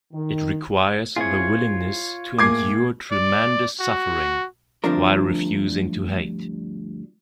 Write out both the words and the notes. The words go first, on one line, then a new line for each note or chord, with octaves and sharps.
It requires the willingness to endure tremendous suffering while refusing to hate.
D#3
C4 E4 F4 G#4 C#5
A2 A#3 G#4 D6 G#6 C7
D5
F#4
D2 G2 F3 C4 D4 A#4